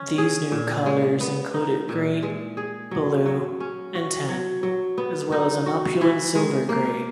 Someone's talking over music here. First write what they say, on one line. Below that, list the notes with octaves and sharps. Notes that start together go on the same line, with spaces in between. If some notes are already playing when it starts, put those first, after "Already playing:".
These new colors included green, blue and tan as well as an opulent silver-gray.
Already playing: C#4
G#4
A#2
G#3
B3
D#4
A#2
G#3
G#4
F#3
F#3
C#4
F#4
F#3
F#3
B3
D#4
F#4
E3
G#3
A#3